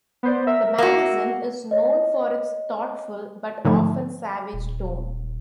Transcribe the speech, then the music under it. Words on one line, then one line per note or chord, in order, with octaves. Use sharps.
The magazine is known for its thoughtful but often savage tone.
B3 C5 D5
A#4 E5 E6
A#3 F#4
C#5 D#5
G#2 D3 F3 A3
D#1